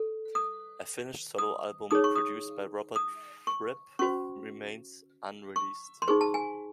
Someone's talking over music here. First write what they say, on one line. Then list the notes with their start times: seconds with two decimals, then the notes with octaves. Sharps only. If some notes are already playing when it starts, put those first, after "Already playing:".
A finished solo album, produced by Robert Fripp, remains unreleased.
Already playing: A4
0.35 D#6
1.38 D#6
1.91 D#4 G#4 C#5 D#6
2.04 C#6
2.16 D#6
2.96 D#6
3.47 C#6
3.99 C#4 F#4 C5 C#6
5.56 C#6
6.02 C6
6.08 D#4 G#4 C5 C#6
6.21 A5
6.34 G#5